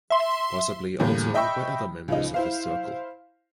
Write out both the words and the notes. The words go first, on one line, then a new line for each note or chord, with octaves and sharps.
Possibly also by other members of his circle.
E5 C6
E2 A2 D3 G3 A#3
D#5 E5 G5 B5 C#6 E6
C#2 F3 D#4
E4 C5 F5